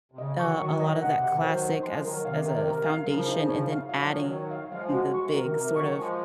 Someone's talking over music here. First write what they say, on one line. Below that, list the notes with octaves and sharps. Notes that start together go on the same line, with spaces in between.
uh, a lot of that classic as as a foundation and then adding the big sort of,
C3
C#3 D#5
D#3 F#3 C#6
D#3 F#3 C#6
D#5
C3 F#5
C3
F#5
C3 D#3
D#3 F#3 C5
C5
F3 G#3 C6
F3
D#3 F#3 A#4
C3 D#3 F5
A#4
A#4
F5
F#3
C#3 F3 A#4
D#4
C#5
F5
F#3 F5
F3
C#5
D#3 F#3
C#5
F5
F#3
F3 G#3 F5
F#4
G#3 C#6
D#3 F#3
A#4
C3 D#3
C3 A#4
F3
D#3 F#3 C#6
F3 G#3 C#6